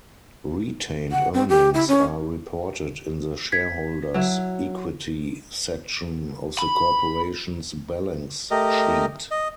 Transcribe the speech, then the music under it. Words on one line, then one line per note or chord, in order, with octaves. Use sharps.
Retained earnings are reported in the shareholders' equity section of the corporation's balance sheet.
F#5
C4
G4
E4
C#4
G#6 B6
F#3 E4
B5
A3 G4 A#4 D#5
D#5